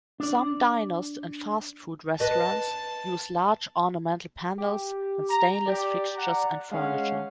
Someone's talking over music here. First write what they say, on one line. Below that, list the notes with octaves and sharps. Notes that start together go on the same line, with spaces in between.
Some diners and fast-food restaurants use large ornamental panels and stainless fixtures and furniture.
D4 D5
B4 D#5 A5
G4
A#5
G4 D5
F#5 A#5
G#3 C#4 F5 F#5